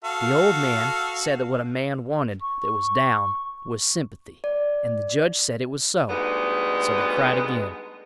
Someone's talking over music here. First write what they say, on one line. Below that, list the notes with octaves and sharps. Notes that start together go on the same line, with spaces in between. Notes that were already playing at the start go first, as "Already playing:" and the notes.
The old man said that what a man wanted that was down was sympathy, and the judge said it was so; so they cried again.
F#4 A4 F5
C#6
D5
D2 G3 G#3 B3 D#4